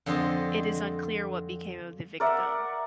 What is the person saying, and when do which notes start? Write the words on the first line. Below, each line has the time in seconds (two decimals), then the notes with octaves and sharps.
It is unclear what became of the victim.
0.06 F2 D3 D4 A4 C5 D#5
2.20 A#4 D5 E5 F#5